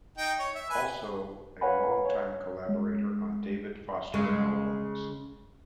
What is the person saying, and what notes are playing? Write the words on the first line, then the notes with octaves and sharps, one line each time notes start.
Also a long time Collaborator on David Foster albums.
D#4 G5
C#5
E5
B4 G#5
B4 C#5 F5 F#5 G#5 B5
C#5
G#3
C#3 G#3